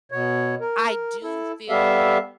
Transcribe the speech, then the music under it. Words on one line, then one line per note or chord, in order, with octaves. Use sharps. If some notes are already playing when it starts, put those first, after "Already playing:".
I do feel
B2 C#5
A#4
E4 A4
G3 B3 G4 A4 E5 F5